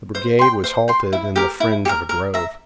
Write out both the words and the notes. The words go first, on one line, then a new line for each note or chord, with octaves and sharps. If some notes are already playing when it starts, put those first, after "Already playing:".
The brigade was halted in the fringe of a grove.
C5
G5 C6
C5
G5 C6
E4
G4 A#4
E4
G4
A#4
A#4
E5 A#5